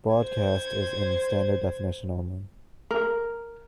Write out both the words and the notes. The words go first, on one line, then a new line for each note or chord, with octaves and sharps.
Broadcast is in standard definition only.
C5 G#6
A#4